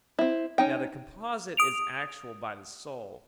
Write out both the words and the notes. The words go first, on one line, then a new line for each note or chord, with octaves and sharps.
Now the composite is actual by the soul.
C4 E4
C#4 D#4 G5
D#6 D7 F7